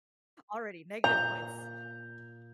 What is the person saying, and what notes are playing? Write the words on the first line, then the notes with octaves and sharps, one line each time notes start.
Already negative points.
A#2 A#5 G6